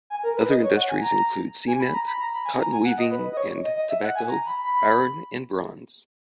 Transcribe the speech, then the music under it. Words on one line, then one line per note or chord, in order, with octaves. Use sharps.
Other industries include cement, cotton weaving, and tobacco, iron and bronze.
G#5
A#4
B4
D#5
C#5
F#5
G#5
A#5
G#5
B5
A#5
B5
A#5
B5
G#5
A#5
G#5
F#5
D#5
B4
D#5
C#5
D#5
D#5
E5
F#5
G#5
A#5
B5
B5